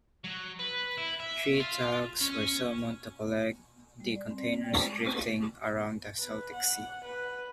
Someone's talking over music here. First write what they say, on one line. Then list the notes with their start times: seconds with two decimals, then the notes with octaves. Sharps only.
Three tugs were summoned to collect the containers drifting around the Celtic Sea.
0.24 F#3
0.60 B4
0.98 E4
1.20 E5
1.60 F4
2.21 C#4
4.00 G3
4.15 D5
4.31 C4
4.44 D5
4.64 G5
4.81 G#3
6.20 B4
6.54 F#5
7.05 B4